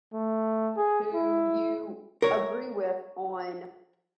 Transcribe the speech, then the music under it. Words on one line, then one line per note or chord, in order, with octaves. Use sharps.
who you agree with on
A3
G#4
E4
A#4 C#5